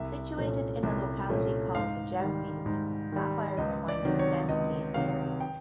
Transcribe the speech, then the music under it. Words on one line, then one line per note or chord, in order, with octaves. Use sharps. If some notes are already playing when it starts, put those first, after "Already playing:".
Situated in a locality called The Gemfields, sapphires are mined extensively in the area.
Already playing: C2 E5
A#2 F3 A3 C#4
C2
A#2 F3 A3 C#4
G#2 F5
D#3 G3
G#2
D#3 G3
C#2 D#5
D5
C3 D#3 F#3
C#5
C#2 D#5
C3 D#3 F#3 F5
G5